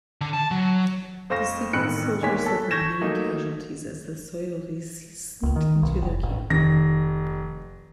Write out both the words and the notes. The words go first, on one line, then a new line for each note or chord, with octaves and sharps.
The sleeping soldiers suffered many casualties as the Souliotes sneaked into their camp.
D3
A5
F#3
F2 C5 F5 C#6 A#6 E7
E1 A1 D#3 B5 F#6 C#7
E1 D#2 G#3 A#3 C#5 B6
A4 B6
C#6 G6 G#6 A#6 E7
F#3 A3 A#3 D#4
C#2
D#3
B1
F1
A1
F1 D#3 A#6